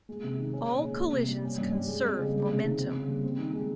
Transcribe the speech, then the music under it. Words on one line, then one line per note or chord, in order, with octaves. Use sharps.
All collisions conserve momentum.
G#3
C3
D#3
C#4
A#2
G#3
A#3
C3
G3
C#4
G2
G3
G#3
F2
C#3
G#3
C3
D#3
C4
C#3
G3
C4
D#3
G#3